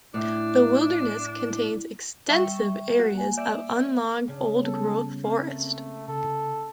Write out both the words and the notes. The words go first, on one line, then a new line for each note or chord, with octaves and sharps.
The wilderness contains extensive areas of unlogged, old-growth forest.
A2 D4
G3 E5 G5 C#6
F#4
A#3 G#5
D5 E5 G6
C#3 D4
G3 B3 A4
A3 A#3 C4
C#3 A4